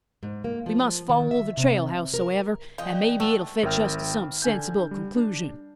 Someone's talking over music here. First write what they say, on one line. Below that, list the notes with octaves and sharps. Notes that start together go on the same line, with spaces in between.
We must follow the trail, howsoever; and maybe it'll fetch us to some sensible concloosion.
G#2
A#3
F3
D#3
E5
C3
A#4
E2 F4 D#5 G5
E3 A3 D4 F#4
G#1 A#4 E5 G5 F6
D3 G#5 G6
G3
D4